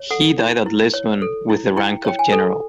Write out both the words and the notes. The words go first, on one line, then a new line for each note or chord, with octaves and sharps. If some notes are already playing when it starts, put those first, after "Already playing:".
He died at Lisbon with the rank of General.
Already playing: C#5
A4 F#5
E4
E4
C#5
A4
E4
E4 G5
C#5 G5
G#5
A4